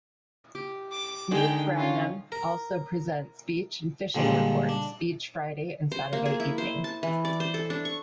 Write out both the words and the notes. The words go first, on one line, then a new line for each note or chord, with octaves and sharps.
Luke Bradnam also presents Beach and Fishing reports each Friday and Saturday evening.
G4
D6
D3 D#3 G#3 G5
C#4 F4
A#4
A#2 D3 F3 G3 G#3
D4
C5
A#3
G#4
E4
C5
A5
E3
D5
C5
A4
D4
C#6